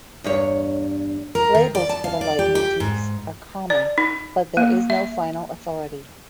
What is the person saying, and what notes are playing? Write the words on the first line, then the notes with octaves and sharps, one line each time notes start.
Labels for the leitmotifs are common, but there is no final authority.
E2 G2 C#5
A#4
D#3
D5
A5
F5
D5
G4
G4
G#2
D5
D#4
A#3
E5